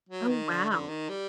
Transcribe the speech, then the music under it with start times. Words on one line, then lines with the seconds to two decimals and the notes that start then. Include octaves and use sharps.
Oh, wow.
0.09 F#3
0.29 D#3
0.49 D3
0.69 D3
0.89 D#3
1.09 G3